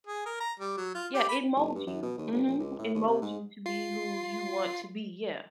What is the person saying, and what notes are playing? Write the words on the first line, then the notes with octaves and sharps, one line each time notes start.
Yeah, it molds you. Mhm. It molds you to be who you want to be, yeah,
G#4
A#4
A#5
G3
F#3
F4
G4
B5
F#1
G2
F#2
B2
D#2
G1
A#1
C#2
A2
D#2
C3
G#2
F4 C7